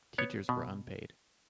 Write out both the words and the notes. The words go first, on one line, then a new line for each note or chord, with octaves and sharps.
Teachers were unpaid.
B3 C#5
B2